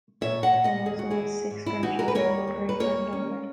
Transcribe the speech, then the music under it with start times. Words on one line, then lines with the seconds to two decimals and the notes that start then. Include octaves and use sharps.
Dawn also has six grandchildren and one great-granddaughter.
0.21 A#2 C#5 E5
0.43 D#5 F#5
0.54 A#2
0.64 D#5 F#5
0.86 D#2 G#4
0.99 F#4
1.11 E4 G#4
1.18 D#2
1.51 G#2
1.66 E4
1.83 E3 D#4 F#4
1.99 F#4 A#4
2.08 B4
2.15 D#2 A#4 C#5
2.47 D#2
2.69 B4
2.80 A#3 A#4 C#5
3.13 C#4